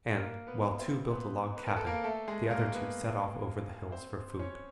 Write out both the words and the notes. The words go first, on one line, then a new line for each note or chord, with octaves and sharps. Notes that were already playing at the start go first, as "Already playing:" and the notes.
And, while two built a log cabin, the other two set off over the hills for food.
A#3 A#4
B3 B4
C4 C5
B3 B4
B4
A#4
A4
A#3 A#4
A3 A4
G#3 G#4
A#3 A#4
B3 B4
C4 C5
C#4 C#5